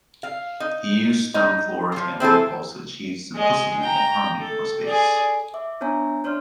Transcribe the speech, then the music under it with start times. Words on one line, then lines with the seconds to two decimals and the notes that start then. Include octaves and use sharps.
He used stone floors and white walls to achieve simplicity and harmony for space.
0.23 F5
0.60 D#4
1.34 D#4
1.92 F3 F4
2.20 C4 E4 G#4 A4
3.35 G#3 D#5
3.79 G5 A#5
4.39 A4
4.84 G#4 D5
5.54 E5 D6
5.81 B3 D4 C#5 E5 G#5 A#5
6.24 D4 C#5 D5 C6 F6